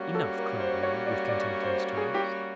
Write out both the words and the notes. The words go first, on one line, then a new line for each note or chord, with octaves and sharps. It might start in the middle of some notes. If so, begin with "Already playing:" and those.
"Enough," cried Will, with contempt in his tones.
Already playing: G3 A#3 C#4 F#4
A4
A#4
C5
C#5
D5
D5
C5
G#4
G4